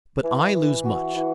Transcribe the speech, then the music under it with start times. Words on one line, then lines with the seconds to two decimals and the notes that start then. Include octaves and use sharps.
But I lose much.
0.23 E3
0.54 E3
0.85 F#4
1.15 E3